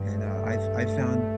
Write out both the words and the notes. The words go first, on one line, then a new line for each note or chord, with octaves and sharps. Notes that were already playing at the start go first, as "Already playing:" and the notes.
and, uh, I've I've found,
Already playing: G2
A3